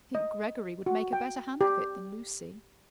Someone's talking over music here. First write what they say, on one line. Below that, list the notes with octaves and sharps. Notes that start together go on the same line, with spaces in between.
"I think Gregory would make a better hand of it than Lucy."
D#5
F#4
G5
G4